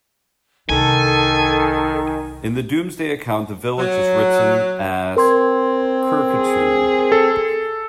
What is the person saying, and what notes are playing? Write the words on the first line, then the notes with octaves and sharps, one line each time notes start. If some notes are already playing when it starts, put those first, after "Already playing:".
In the "Domesday" account the village is written as "Cherchetune".
C2 D#3 D4 A4 G#5
F#3
C4 A#4 C6 G#6
G#4
A4